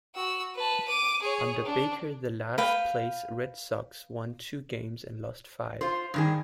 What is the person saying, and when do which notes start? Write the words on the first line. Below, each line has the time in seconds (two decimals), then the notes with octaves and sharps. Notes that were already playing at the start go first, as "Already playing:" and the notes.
Under Baker, the last-place Red Sox won two games and lost five.
0.15 F#4 E6
0.55 B4 A5
0.88 D6 D#7
1.22 G#4 C#5
1.65 D4
2.58 B4 F5 G5
5.81 F4 C5
6.14 G2 D#3 G#4